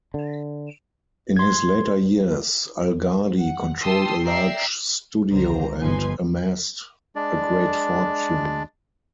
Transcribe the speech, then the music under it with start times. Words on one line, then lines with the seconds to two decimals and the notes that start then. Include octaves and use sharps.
In his later years Algardi controlled a large studio and amassed a great fortune.
0.14 D3
1.36 C6 G#6
3.38 F#5
3.82 G4 A5 C6 D#6 E6
4.24 D5 E5 G5 A#5 E6 C7
5.29 C#2 D3 C5 A#5
5.80 G1 F3 D#4 B4 G#5 C6
7.16 G#3 D4 D5